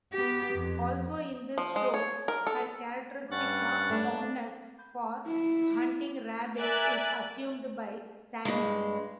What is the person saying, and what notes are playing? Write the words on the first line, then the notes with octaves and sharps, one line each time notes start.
Also in this show, her characteristic fondness for hunting rabbits is assumed by Sally.
B3 G4
F2
F3
G#3
C#5
A#4
A4
G2 C#4 F#5 A6
A3 D4
E4
A#4 D5 E5 G#5 F#6
G2 G#3